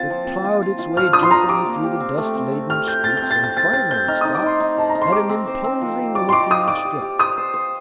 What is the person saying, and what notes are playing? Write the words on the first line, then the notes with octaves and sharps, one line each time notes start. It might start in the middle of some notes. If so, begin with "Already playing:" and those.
It plowed its way jerkily through the dust-laden streets and finally stopped at an imposing looking structure.
Already playing: A#3 C4 F4 C5 A6
F3
C4
F4
F4
F4
F3 F6
D4 D#6
C6
F3 A#5
G4 D6
A#3
G4
C4
A3
C4
C4
G4 F6
G4 G6
C4 A6
C4 G6
A6
C4
A6
C4 A6
C4 A6
C4 G6
D#4 F6
D#4 D#6
D6
D#4 C6
D#4
D#4 A5
A#5
D#4
C6
G4 D6
C4
C5
C4
F3
C5
D5 D6
C6
D#4 D6
F5 D#6
D5 D6
G4
G4
C5 D#6
C5
C5